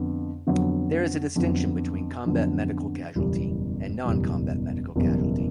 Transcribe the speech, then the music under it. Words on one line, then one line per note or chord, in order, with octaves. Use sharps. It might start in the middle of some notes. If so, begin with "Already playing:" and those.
There is a distinction between combat medical casualty and non-combat medical casualty.
Already playing: F2 D3 B3
F2 D3 F#3 B3
F2 D3 F#3 B3
F2 D3 F#3 B3
F#1 E2 B2 G3
F#1 E2 B2 G3
F#1 E2 B2 G3